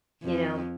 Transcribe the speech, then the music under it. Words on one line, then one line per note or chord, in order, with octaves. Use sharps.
you know,
F2